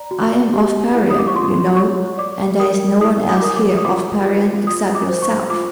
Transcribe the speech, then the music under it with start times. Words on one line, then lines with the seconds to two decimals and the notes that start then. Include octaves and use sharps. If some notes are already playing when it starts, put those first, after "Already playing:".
"I am of Parian, you know, and there is no one else here of Parian except yourself."
Already playing: D5 A#5
0.11 F#4
0.53 G4
0.94 E4
1.10 D#6
1.19 D6
1.28 C#6
1.35 F4 C6
1.77 C#5 C#6
2.18 D5 D6
2.60 A#4 D#6
3.01 E4 D#6
3.29 D#6
3.37 D6
3.42 A#4 D#6
3.56 D6
3.77 D#6
3.84 F4 D6
4.25 F4
4.67 F4 D#6
4.95 D6
5.09 C5
5.22 C#6
5.49 F4 D6